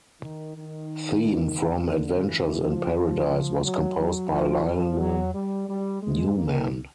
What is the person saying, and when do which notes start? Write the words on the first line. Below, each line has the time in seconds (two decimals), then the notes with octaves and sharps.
"Theme from Adventures in Paradise" was composed by Lionel Newman.
0.21 D#3
0.56 D#3
1.92 D3
2.26 E3
2.60 F3
2.94 F3
3.29 F3
3.63 F#3
3.97 F#3
4.31 F3
4.65 F3
4.99 F#3
5.34 G3
5.68 G3
6.02 G#3
6.36 A#3